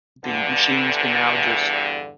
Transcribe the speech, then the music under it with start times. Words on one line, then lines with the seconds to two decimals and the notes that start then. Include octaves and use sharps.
the machines can now just
0.24 E2 G2 D3